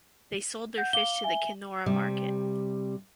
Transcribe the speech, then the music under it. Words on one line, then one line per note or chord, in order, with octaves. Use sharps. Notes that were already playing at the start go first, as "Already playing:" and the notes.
They sold their fish to the Kenora market.
F#5 G6
F5 D6 G7
E5 G#5
C3 G3